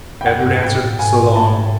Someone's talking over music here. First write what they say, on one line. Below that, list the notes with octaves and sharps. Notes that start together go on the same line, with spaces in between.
Edward answered: "So long."
G5
F2 F#5
G2
G#2 G5
A#2
A2
G#2 G#5
A5